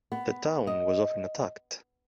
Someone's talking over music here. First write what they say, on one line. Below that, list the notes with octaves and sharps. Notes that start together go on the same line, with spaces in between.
The town was often attacked.
B3
D#5